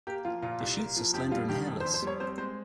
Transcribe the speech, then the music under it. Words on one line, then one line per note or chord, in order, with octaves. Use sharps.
The shoots are slender and hairless.
A#3 G4
F3 F4
A#2 F4
C2
A#3
F3
F2 G4
G3 F4
D#3 G4
F2
C5
F2
C5
G3 C#5
C4 C5
G#3 C5